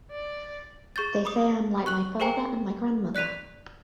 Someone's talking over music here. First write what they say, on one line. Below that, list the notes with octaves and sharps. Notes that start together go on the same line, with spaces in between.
They say I am like my father and my grandmother.
D5
G#4 C#6 G6 A6
B5 D6 D#6
C#6 F#6 F#7
G#4 A#4 C5 G5 G#5 A#5
D5 F#6 B6 D#7 F7